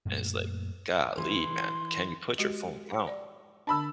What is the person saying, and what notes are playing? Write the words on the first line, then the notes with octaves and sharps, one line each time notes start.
and it's, like, "Golly, man. Can you put your phone down?"
F#2 A#2 A3
E3 C6
G#3 F#4 G4
D5
D3 D4 A5 B5 E6